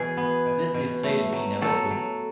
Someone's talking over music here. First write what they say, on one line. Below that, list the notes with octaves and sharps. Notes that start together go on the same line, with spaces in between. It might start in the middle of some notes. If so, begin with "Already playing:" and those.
This Israel will never do.
Already playing: B2 E3 G#4
B3
B2
B2
A3
F#3
F#3 A4
F#3